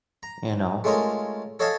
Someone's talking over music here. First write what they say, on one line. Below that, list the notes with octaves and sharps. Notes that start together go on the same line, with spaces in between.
You know?
A#5
G#3 A3 C#4 D#4 F4 A#4
A4 C#5 D#5 F5 G#5 A5